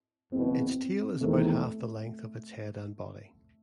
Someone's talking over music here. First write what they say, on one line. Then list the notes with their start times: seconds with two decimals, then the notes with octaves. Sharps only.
Its tail is about half the length of its head and body.
0.32 F#1 E2 B2 C4
1.21 E2 C3 D#3 A3